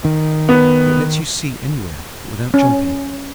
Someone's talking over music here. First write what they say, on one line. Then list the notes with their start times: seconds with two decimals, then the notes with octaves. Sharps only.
It lets you see anywhere, but without jumping.
0.05 D#3
0.49 B3
2.54 C#4